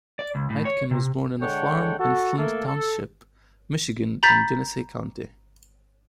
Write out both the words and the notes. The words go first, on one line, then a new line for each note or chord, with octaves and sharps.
Aitken was born on a farm in Flint Township, Michigan in Genesee County.
D5
C#2
A2
C#5
C3
D3 G#3 A4 C#5 F#5 G5
F#4 A4
A3 A#3 A4
A4
A#5 B5 G6 A6 B6